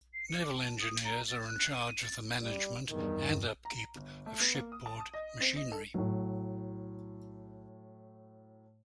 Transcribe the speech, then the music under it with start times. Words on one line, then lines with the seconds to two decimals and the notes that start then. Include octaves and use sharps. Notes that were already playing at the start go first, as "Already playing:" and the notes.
Naval engineers are in charge of the management and upkeep of ship-board machinery.
0.14 C7
0.28 C#7
0.41 D6
0.56 A5
0.80 D#6
1.04 A#5
1.28 A6
1.48 F#6
1.73 D#7
2.03 A6
2.43 G3
2.90 E2 G2 D#3
3.65 A#5
3.96 G1
4.26 A3
4.40 B3
4.55 A#3
4.72 D#6
4.86 A5
5.00 D#6
5.14 D#5
5.41 C4
5.56 D#5
5.72 A4
5.94 A2 F#3